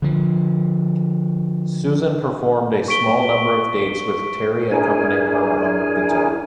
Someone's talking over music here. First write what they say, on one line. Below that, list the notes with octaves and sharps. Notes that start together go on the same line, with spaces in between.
Susan performed a small number of dates with Terry accompanying her on guitar.
D3 F3
C#6 B6 D7 G7
D4 E4 G#4 A#4 G#5